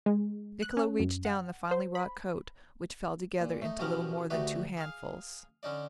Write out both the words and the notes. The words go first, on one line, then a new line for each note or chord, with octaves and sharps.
Niccolo reached down the finely-wrought coat, which fell together into little more than two handfuls.
G#3
F#6
C#4
F#2
F#5
C5
B5
A#2
A3 D#4
B2 D#3 F3 C#4 G4 A#4
D2 A3 D#4 F#4 G4 B4
G#4 F5
D3 C#4 D#4 D5